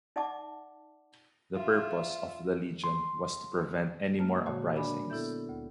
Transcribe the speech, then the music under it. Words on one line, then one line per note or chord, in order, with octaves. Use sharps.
The purpose of the legion was to prevent any more uprisings.
D#4 D5 E5 F#5 A5 D6
F4 E5
C6
G#3 A#3 C5 A5 F6
A#2 D3 F#4 C5 C#5 A5
D4 A#4 D5 G#5 B5
B3 E4 A4 E5 G6
D2